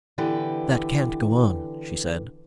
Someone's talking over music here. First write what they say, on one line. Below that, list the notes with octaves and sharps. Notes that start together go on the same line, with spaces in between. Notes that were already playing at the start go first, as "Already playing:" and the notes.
"That can't go on," she said.
D3 E3 B3 G4 B4